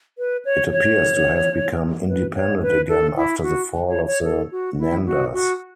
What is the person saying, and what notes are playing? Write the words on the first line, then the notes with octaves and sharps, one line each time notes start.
It appears to have become independent again after the fall of the Nandas.
B4
C#5
C#5
B4
C#5
B4
A4
E4
F#4
C#5
C#5
A4
F#4
E4
F#4
F#4